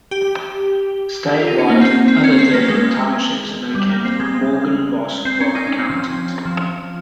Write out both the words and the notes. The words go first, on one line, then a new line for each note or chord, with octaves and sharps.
Statewide, other Deerfield Townships are located in Morgan, Ross, and Warren counties.
G4
F4
D#4
C#4
A#3
C4
C4
C#4
C4
A#3
G#3
G3
A#3
C4
G#3
C4
C#4
D#4
C#4
C4
F3
F3